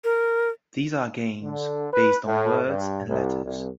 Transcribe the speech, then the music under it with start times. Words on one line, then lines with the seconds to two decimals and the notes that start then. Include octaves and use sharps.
These are games based on words and letters.
0.04 A#4
1.43 D3
1.92 B4
2.26 A2
2.68 G2
3.08 C2
3.44 C2